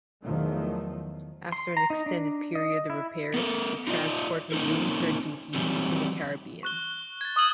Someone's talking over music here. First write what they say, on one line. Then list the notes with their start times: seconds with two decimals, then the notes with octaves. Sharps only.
After an extended period of repairs, the transport resumed her duties in the Caribbean.
0.22 E2 D#3 F3 F#3 A3
1.52 C6
1.77 A#5
1.90 D#4
2.06 D4
2.55 D#5
2.90 E4
3.34 B3 A4 A#4
3.87 D#4 F4 C5 D5 D#5
4.52 A#3 C4 C#4 D#4 A4 A#4
5.55 E3 F#3 G3 C4 D#4
6.63 C#6 F#6 G7
7.21 G#6 A6
7.36 C#6 D#6 E6 F#7